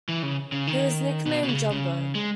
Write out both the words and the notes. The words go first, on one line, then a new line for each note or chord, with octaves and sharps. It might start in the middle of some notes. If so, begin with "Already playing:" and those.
He was nicknamed "Jumbo".
E3
C#3
C#3
D#3
B2
B2
C#3
C#3
G#3